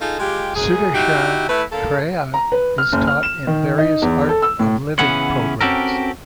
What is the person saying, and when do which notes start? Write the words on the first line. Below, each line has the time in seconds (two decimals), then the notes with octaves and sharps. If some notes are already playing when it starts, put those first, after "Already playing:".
Sudarshan Kriya is taught in various Art of Living programs.
0.01 D#4 F4 G#4 A4
0.20 G#3 F4 G4
0.56 F#2 G#4
0.94 D#4 E4 F#4 G4
1.49 A3 E4 B4
1.72 D3 A#3 A4
2.34 A#5
2.52 B4
2.78 F6
2.92 F#1
3.07 F6
3.23 E7
3.47 D#3
3.78 D#4
4.02 E2
4.29 A4
4.42 E6
4.59 A2
4.99 C#3 E3 B3 C#4 F#5
5.61 C4 C#4 F#4 G4 A4 A#4